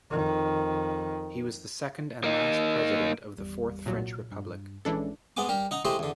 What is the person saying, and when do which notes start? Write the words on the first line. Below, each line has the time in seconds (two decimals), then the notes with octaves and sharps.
He was the second and last president of the Fourth French Republic.
0.10 F2 D#3
2.24 A#3 D#4
3.37 G#1 E2 G3
3.86 C2 A#2 F#3
4.31 G2
4.85 A#1 E3 G#3 C#4 D4 A4
5.37 G#2 G#3 B3 F#5 G#5 D6
5.49 G3 G4 A#4
5.71 D#4 F#5 A#5
5.85 G#3 A3 E4 G4 C5 D#5
5.99 E2 D3